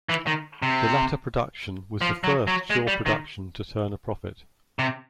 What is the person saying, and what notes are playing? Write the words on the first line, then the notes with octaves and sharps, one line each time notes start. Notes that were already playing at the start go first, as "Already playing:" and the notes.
The latter production was the first Shaw production to turn a profit.
E3
D#3
C3
F3
F#3
F#3
G#3
G3
D#3
C3